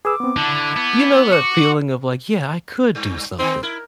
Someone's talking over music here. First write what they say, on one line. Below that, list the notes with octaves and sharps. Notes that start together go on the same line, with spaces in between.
You know that feeling of like, "Yeah, I could do something,"
G#4 B4 D6 E6
B3 C4
D3 E4 A5
B3
F#4 C#6 D6
G2
D#3 C4 D#4
E4 A#4